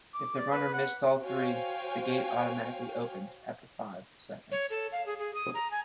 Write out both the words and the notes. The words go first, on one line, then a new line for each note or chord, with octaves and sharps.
If the runner missed all three, the gate automatically opened after five seconds.
D6
D5
B4
F#5
F#4 C5 C#5 F5 G5 G#5
C#5
A4
F5
G#4
G#4
D#6
A#5
G#5